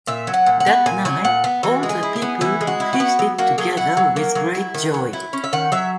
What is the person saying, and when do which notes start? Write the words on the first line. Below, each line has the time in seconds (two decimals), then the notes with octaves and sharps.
That night, all the people feasted together with great joy.
0.07 A#2 E5
0.27 F#3
0.34 F#5
0.46 A#2
0.60 F#5
0.66 B3
0.86 A#2 G#5
1.05 F#3 G#5
1.25 A#2 F#5
1.44 B3
1.63 E3 F#4
1.83 G#3
1.89 G#4
2.03 E4
2.16 G#4
2.22 B3
2.41 E3 E4
2.61 G#3
2.67 F#4
2.80 E4
2.93 F#4
3.00 B3
3.19 F#3
3.38 A#3 F#4
3.58 F#3 G#4
3.77 E4 F#5
3.97 F#3
4.16 A#3
4.35 F#3
4.55 E4
4.74 D#3
4.94 F#3
5.13 E4
5.33 C#4
5.44 E5
5.53 D#3 F#5
5.72 F#3 E5